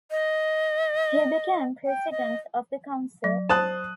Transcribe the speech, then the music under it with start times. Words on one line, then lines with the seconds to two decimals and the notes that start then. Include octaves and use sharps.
He became president of the council.
0.11 D#5
1.86 G5
2.11 D#5
3.24 F#3
3.49 C5 A5 D#6 F#6